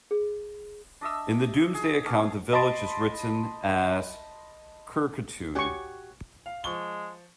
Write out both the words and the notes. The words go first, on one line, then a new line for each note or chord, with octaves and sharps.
In the "Domesday" account the village is written as "Cherchetune".
G#4
D4 D#5 E5 E6
G#4
B3 C#4 D4
D#5 A5 B5 C6 A6 D7
F#4 G4 C#5 G#5 C#6
F5
F3 G#3 C#6 G7